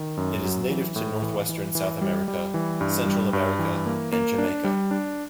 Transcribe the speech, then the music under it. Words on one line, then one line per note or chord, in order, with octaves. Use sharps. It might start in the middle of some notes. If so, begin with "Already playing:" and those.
It is native to northwestern South America, Central America, and Jamaica.
Already playing: D#3
F#2
F#3
E3
A2
E3
E3
E3
G3
G3
E3
G2
G3
G2
E3
A#3
A#3
D4
G3
D4